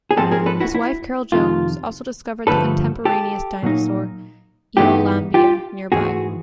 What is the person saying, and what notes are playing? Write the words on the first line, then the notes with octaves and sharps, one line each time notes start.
His wife, Carol Jones, also discovered the contemporaneous dinosaur "Eolambia" nearby.
G#4
G#2 F3 G#3 C4 G4 A4
G#4 A#4
A4 B4
E4 F#4
E4
F2 C3 D#3 F4
G2 D3 F3 A3 A4 B4
G4 A4
A#2 F#3 A#3 D#4
G2 E3 G#3 B3 D#4 F4 G4
F4 G4
G#2 E3 A3 F#4 G#4